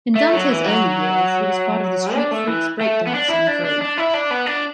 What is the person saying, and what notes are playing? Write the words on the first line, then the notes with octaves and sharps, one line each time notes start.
In Dante's early years, he was part of the Streat Freaks breakdancing crew.
A3
F#3
E3
F#3
D4
A3
E3
A3
B3
D4
E4
D4
D4
D4
E4
D4
B3
D4